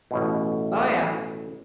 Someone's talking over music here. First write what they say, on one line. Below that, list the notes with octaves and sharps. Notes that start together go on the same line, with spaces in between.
Oh, yeah.
A1 B2